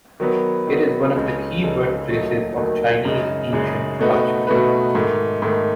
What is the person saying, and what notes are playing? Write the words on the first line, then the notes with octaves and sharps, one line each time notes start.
It is one of the key birthplaces of Chinese ancient culture.
D#3 F#3 B3
D#3 F#3 B3
C#2 C#3 G#3 D#4 A4
C#2 C#3 G#3 D#4 A4
D#2 D#3 F#3 A3 D#4
D#2 D#3 F#3 A3 D#4
F#2 C#3 G#3 D#4 G#4
F#2 C#3 G#3 D#4 G#4
B2 A3 D#4 F#4 B4
B2 A3 D#4 F#4 B4
G#2 D#3 A3
G#2 D#3 A3